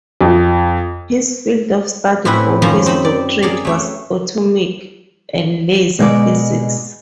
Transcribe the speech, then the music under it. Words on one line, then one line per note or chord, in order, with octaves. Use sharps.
His field of study for his doctorate was atomic and laser physics.
F2
A2 C4 C#4 E4 B4 F#5
F#2 D#3 F3 C#4 A#5
C4 D#4 D#5 B5
D5
G#4 A#4 D5
A3 C#5 G5
B2 G#3 D5